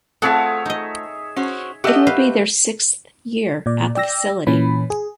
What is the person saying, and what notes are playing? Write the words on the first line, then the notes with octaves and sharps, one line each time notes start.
It will be their sixth year at the facility.
A3 C4 F4 G#4 A4 C#5 E5 F#5
D#4 D#5
C#4 F#4 C5
A3 G4 D#5 F#5 E6
B4 C5 F5
A#2 D5
D5 G5 E6 A#6
A#2 E3 C#4 B5
G#4